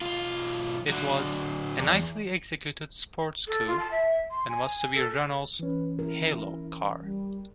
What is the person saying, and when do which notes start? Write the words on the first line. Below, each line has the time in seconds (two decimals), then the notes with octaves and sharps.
It was "a nicely executed sports coupe" and was to be Renault's "halo" car.
0.01 B1 F4
0.89 D3 F#3
1.78 E2
3.47 A4
3.67 F4
3.79 A5
3.91 E5
4.31 C6
4.49 G#5
4.95 A4
5.59 E3 C#4 B4
5.99 E4 A#4
7.01 G3